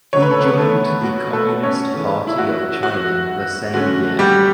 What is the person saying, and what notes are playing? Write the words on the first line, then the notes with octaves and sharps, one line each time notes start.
He joined the Communist Party of China the same year.
D3 F#3 A3 C#5
B4
A4
B3 B4
A3 A4
F#4
A3 A4
C#4 C#5
C#3 E3 A3 C#4
E4
F#4
F#4
D3 A3 C#4 F#4
G3 G4